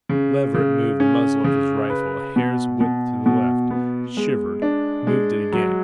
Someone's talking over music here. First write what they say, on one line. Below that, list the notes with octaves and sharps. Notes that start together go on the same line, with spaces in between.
Leverett moved the muzzle of his rifle a hair's width to the left, shivered, moved it again.
C#3
C#3
C#4
C#3
B4
B2
B2
B2
B3
G#3
D4
G#3
F#3